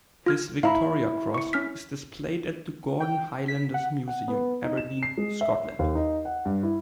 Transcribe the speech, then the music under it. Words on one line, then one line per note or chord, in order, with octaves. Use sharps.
His Victoria Cross is displayed at the Gordon Highlanders Museum, Aberdeen, Scotland.
F4 F6 G#6
E4 F5 A#5 B5
C#6 C#7
C#4 F6 B6
G5
B6
F#5
F#5
B3
D#4
E7
C7
G#3
E5
D#2
D#4
F#5
G2
E4